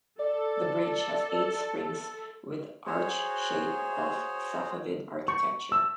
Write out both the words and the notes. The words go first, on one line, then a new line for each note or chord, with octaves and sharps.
This bridge has eight springs with arch shape of Safavid architecture.
A4 D5
F#4 G#4 C5 C#5
C#6
E6